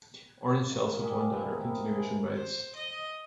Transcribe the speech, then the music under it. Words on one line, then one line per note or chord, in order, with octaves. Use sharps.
Orange cells with one dot are continuation bytes.
F4 D6
D#3
F4 G4 G#4 D5
B3 D#4 E4 A4
B3 C4 A4 A#4
G#4
C5
D#5